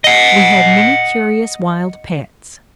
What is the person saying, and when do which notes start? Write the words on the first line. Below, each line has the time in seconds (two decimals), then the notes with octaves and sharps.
We had many curious wild pets.
0.04 D#5 F#5